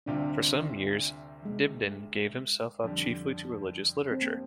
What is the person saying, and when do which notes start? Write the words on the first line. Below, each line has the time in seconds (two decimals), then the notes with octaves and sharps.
For some years Dibdin gave himself up chiefly to religious literature.
0.06 D2 C3 G3 C4 D4 F4
1.45 G#3
2.84 F2 D3 G3
4.11 C4
4.22 A#3